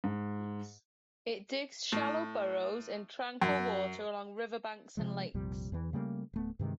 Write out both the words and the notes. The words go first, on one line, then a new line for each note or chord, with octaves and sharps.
It digs shallow burrows in tranquil water along river banks and lakes.
G#2
A2
F#2
C3 E3 F3 G#3
A#1 F2 C3 G3
E2 E3
C#3 G3 A3 A#3
D1 A3 B3
G2 C3 D#3 G#3